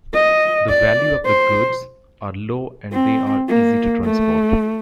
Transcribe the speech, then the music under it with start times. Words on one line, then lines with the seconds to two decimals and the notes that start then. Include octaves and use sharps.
The value of the goods are low and they are easy to transport.
0.14 D#5
0.69 D5
1.26 C5
2.93 C4
3.49 A#3
4.04 A3